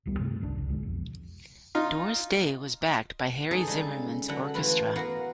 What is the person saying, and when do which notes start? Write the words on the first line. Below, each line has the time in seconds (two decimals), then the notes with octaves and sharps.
Doris Day was backed by Harry Zimmerman's Orchestra.
0.06 D#1 C2 G3 B3
0.19 D2 G2 C3 A3
0.40 G1 C#2 D#3 D4
0.56 F1 C#2
0.69 G#1 D2 G#3
0.83 B1 F2
1.75 D#4 F4
3.51 D#4 G#4 A4 C#5
3.67 C#3 G3 G#3
4.28 D3 F#3 A4 F#5 B5
4.54 E3 A3 F4 B4 B5
4.96 B3 F#4 A#4 B4 F5 F#5